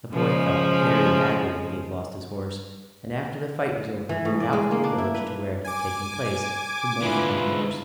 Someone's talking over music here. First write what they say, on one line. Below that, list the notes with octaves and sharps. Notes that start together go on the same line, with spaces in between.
The boy felt very badly that he had lost his horse; and, after the fight was over, he went out from the village to where it had taken place, to mourn for his horse.
C#3 F3 G#3
E3
A2
D5
G#3
A#3
D4
E4
B4
G#5 D6
G#2 D3 E4 F4 B4